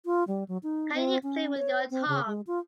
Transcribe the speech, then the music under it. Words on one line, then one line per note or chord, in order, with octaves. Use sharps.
Can you click with your tongue?
F4
G3
F#3
D#4
C4
C#4
C#5
C4
C#3
G#3
F4